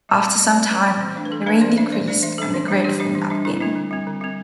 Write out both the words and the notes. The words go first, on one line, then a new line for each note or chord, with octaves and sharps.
After some time the rain decreased and the grid formed up again.
G3
C4
G3 D5
C4 D5
G3 B4
C4
E3
A3 D4
B4
E3 A4
A3 D4 B4
E3 D5
A3 D4 E5
E3 D5
A3 D4 D5
E3 E5
G3 D4 A4
E3
G3 D4
E3 G4
G3 D4
E3
G3 D4
D3 E4
G3 C4 D4
D3
G3 C4
D3
G3 C4